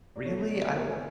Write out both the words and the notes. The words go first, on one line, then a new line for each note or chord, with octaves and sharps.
Really? I w
D5
B2 A3 C#5
D5
C#5 E5
G#5